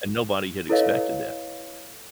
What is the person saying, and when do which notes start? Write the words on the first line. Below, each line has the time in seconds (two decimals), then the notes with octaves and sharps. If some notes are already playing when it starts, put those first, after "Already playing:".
and nobody had expected that.
0.69 E4 A4 B4 C#5 D#5 F5